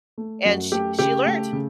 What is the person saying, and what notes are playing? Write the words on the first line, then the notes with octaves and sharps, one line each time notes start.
And sh she learned.
A3
F#2 F#4
A3 G4
C#3 G4
A3
C#3